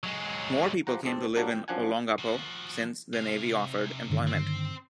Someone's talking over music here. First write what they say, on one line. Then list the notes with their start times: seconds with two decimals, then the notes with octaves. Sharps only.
More people came to live in Olongapo since the Navy offered employment.
0.03 F#3 G#3
0.87 F3 G4 C5 F#5 A#5
1.03 F2 G#2 C4 D4 D5
1.35 F#3 G3 A#3 D4 F#4
1.52 F2 G5
1.68 F#2 F3 D4 F#5 G#5
2.19 F3 F#4
3.14 C3 F5
4.10 G2 D3 D#3
4.27 C4